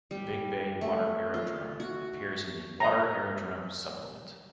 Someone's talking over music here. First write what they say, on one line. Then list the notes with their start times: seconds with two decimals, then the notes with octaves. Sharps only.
The Big Bay Water Aerodrome appears in the Water Aerodrome Supplement.
0.11 G3
0.81 A3
1.34 F4
1.80 F#4
2.80 D#5 A#5